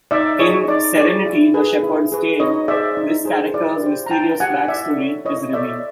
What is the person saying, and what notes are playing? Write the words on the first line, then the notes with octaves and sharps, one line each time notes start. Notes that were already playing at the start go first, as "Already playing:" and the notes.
In "Serenity: The Shepherd's Tale", this character's mysterious backstory is revealed.
D#4 D5 E5
G#4 C#5 D#5
D#4 D5
G#4 C#5 D5
E4
G#4 B4
E4
G#4 B4
D#4 C#5 D#5
G#4 C5 D5 E5
D#4
G#4 C5
E4 D5
G4 C5
A#5
E4 G5 A5
G4 C5 F#5 G#5
E4 D5 E5
A4 C#5
E4 C#5 D#5
A4 C#5 D5 E5